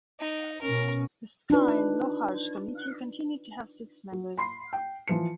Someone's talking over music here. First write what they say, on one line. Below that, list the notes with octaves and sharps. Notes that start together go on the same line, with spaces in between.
The Skye and Lochalsh committee continued to have six members.
D#4
B2 C#4 A#4
D4 D#4 F4 B4
F#3
B5 C6 C7
G5
E3 F3 C#7